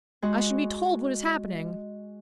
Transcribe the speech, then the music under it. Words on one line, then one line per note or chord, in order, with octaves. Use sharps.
"I should be told what is happening."
G#3 F#4